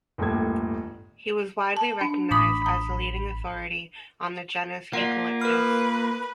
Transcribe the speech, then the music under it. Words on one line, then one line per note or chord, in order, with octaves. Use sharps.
He was widely recognised as the leading authority on the genus "Eucalyptus".
G1 D#2 A2 A4 G#6
A5
D4
A1 B5 D6 D#6
A#5 D#6
A#3 F4 D5 F#5
A#4 B4 F6